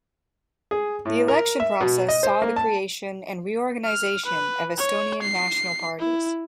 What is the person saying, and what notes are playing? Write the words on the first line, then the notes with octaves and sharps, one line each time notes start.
The election process saw the creation and reorganization of Estonian national parties.
G#4
A2
A#4
E5
B2
D#5
C5
A#3
A5
F6
B4
C#5
C7
E4